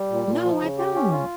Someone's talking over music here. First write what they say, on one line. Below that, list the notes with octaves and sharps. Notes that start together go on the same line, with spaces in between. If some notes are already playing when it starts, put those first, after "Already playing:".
No, I don't.
Already playing: G3
A#2
A#2
F3
C#3
G4
C#4
F4